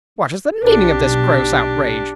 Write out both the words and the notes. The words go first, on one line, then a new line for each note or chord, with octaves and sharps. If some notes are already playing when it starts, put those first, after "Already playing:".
'What is the meaning of this gross outrage?
B1 D4 G4